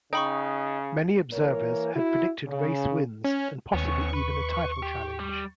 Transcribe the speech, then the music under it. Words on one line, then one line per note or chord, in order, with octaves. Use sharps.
Many observers had predicted race wins and possibly even a title challenge.
C#3 D#4 G5 B5 C#6
E3 A#3 A#4 C#5
E4 F#4
C#3
C#4
D#2 B3 C#4 C#6
B4
G4
G3